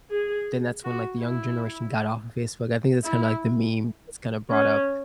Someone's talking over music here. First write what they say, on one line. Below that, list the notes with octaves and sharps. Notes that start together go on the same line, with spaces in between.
then that's when, like, the young generation got off of Facebook, I think that's kinda like the meme that's kinda brought up,
G#4
F#4
E4
E4
C#4